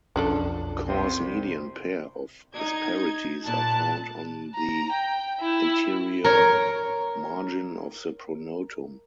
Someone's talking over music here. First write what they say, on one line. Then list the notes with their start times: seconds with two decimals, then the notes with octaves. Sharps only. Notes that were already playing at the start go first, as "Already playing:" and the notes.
Coarse median pair of asperities are found on the anterior margin of the pronotum.
0.16 B1 F2 F3 C#4 D4 A4
0.87 C2 C3 C5
2.54 D#4 G#6
3.45 A#2 A5 F#6
4.55 A#5
4.92 G5
5.40 E4
6.24 A#4 C#5